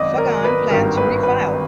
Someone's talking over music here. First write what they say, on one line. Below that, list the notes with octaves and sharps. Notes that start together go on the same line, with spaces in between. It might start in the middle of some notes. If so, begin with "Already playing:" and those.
Fagan planned to refile.
Already playing: G#1 F#2 D5 D#5
A#4
B4
G#1 G2 D#3 A#4
B4
B4